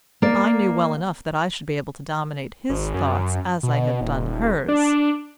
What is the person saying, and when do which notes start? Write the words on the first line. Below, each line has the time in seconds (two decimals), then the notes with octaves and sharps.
I knew well enough that I should be able to dominate his thoughts as I had done hers.
0.22 A#3 D5
2.70 G#1
2.94 F#2
3.63 B2
4.01 D#1
4.68 D4